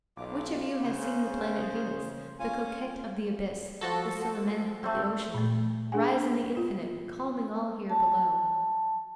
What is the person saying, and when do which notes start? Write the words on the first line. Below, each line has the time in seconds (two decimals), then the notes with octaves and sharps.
Which of you has seen the planet Venus, the coquette of the abyss, the Celimene of the ocean, rise in the infinite, calming all here below?
0.17 B1 F4 D6
0.84 C#3 C5
2.39 C#4 F4 G#5
3.81 F3 F#4 A4
4.84 A3 C4
5.34 A#2 A3
5.92 D4 G#4 F#5 G#5
6.57 F4
7.90 A5